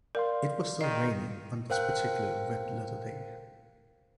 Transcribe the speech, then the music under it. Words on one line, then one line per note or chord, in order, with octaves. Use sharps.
It was still raining on this particular red-letter day.
A#4 D5 F5 C6
D#3 D#5
A#4 C5 F5 G5 F#6